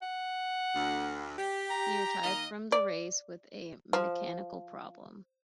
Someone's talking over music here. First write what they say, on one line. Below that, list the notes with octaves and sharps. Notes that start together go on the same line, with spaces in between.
He retired from the race with a mechanical problem.
F#5
D2
G4
A#5
D#3 A#3 D#5
D5
F3